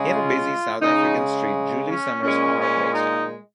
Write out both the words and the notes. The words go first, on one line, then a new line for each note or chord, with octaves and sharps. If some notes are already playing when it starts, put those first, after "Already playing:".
In a busy South African street, Julie Summers' car breaks down.
Already playing: C#3 G#3
F4
C#3 G#3 D#4
C#4
A#2 G#3 C#4
C#4
D#4